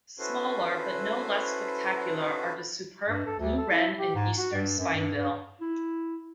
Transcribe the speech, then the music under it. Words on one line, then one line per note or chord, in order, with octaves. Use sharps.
Smaller but no less spectacular are the superb blue wren and eastern spinebill.
C#4 E4 F#4 A4 B4 C5
G2
A4
D2
A4
E4
G4
G#2
F#4
G2
F#2
G2
G2
E4